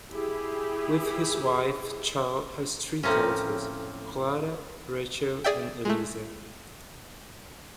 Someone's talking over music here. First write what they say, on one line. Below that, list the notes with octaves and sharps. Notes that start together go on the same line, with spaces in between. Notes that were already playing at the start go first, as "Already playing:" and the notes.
With his wife, Chow has three daughters, Clara, Rachel, and Elisa.
E4 G4 G#4
A2 F3 A#3 C4 C#4
G#4 D5 E5 G5
G#3 A3